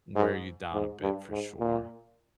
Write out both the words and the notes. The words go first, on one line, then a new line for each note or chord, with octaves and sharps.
wear you down a bit for sure.
G#2
G#2
G2
G#2
A#2